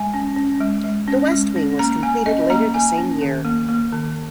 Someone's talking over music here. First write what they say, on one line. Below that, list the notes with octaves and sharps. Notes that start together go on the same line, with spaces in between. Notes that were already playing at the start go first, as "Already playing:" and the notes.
The West Wing was completed later the same year.
Already playing: G#3 G#5
C#4
C#4
G#3
G#3
C#4
G#3
C#4
A#3 A#5
A#3 G#5
C#4 D#5
A#3 A#5
A#3 G#5
C#4
D#3
A#3
A#3
D#3